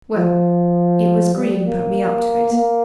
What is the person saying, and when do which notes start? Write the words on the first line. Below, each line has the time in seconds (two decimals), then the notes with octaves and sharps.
Well;--it was Green put me up to it.
0.17 F3
1.35 G3
1.65 A#3
2.53 A#3